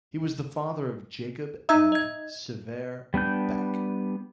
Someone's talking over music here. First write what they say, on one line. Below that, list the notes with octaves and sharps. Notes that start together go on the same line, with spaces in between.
He was the father of Jacob and Sivert Beck.
D#4 E5 A#5 E6 G#6
D#5 G#6
G3 B3 D4 G6